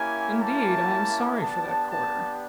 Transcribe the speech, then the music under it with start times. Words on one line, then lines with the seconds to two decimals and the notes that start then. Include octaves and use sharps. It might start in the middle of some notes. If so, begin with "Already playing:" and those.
Indeed, I am sorry for that quarter.'
Already playing: A#3 C#4 E4 G4 G#5
0.42 A5
1.41 B3 D4 G4 A5
1.91 A5